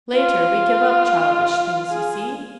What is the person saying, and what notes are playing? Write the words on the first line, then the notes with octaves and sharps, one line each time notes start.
Later we give up childish things, you see.
F4
G#4